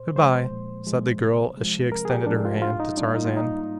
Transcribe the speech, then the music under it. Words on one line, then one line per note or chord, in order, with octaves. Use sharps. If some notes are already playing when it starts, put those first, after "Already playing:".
"Good-bye," said the girl as she extended her hand to Tarzan.
Already playing: A#2 C5
F3 G#3 C5
A#2
F3 G#3
C3
F3 G#3
C3 A#4
G#4
G4
F3 G#3 D4
F4
G#2 F4
D#4
G3 A#3 D4
D#4
F4
G#2 D#4